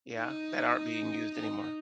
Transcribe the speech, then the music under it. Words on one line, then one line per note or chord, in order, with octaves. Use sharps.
Yeah, that aren't being used anymore.
D#4
D#4